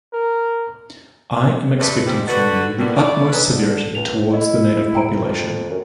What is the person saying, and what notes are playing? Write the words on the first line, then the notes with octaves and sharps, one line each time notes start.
I am expecting from you the utmost severity towards the native population.
A#4
G2 C3 A3 C#4 B4
F2 G#2 G3
D3 F#4 B4
A#2 D3 E3 F#3 G3
D#4 E4 C#5 D5
D#4 G#4 A4 B4 C#5 D#5
D3
C#2 F7
E4 D#5
G5 A#5 D7
F2
F#2